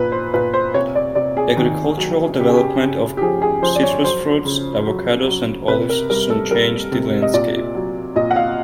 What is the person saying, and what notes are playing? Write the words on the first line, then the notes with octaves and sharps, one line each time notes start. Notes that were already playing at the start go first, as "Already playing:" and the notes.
Agricultural development of citrus fruits, avocados and olives soon changed the landscape.
Already playing: A#2 B4
C5
A#2 B4
C5
C3 C#5
D5
C3 D5
G#4
D#3
F#3
C#3 G4
G#4
G4
C#3
G4
F3 G#4
G#4
F3 C5
D5
C#5
F#3 C5
C#3
F#3
F#3
C3 B4
A#4
G3 A#4
A4
G3 A#4
C3
D#5
A#2 D5
F#3
A#2 D#5
F#5
F5